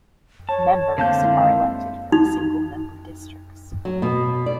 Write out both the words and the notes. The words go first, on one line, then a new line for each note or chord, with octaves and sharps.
Members are elected from single-member districts.
C#5 A5
D3 A#3 C4 C5 F5 A5 G6
G#3 E4
D#4
F#3
B2
D5